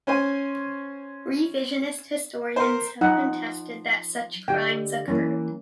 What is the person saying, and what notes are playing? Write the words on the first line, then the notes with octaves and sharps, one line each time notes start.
Revisionist historians have contested that such crimes occurred.
C#4 C5 G#5
A#4 C5
F3 D#4 F#5
D3 G4 D#5 G5
E3 A#3 C#4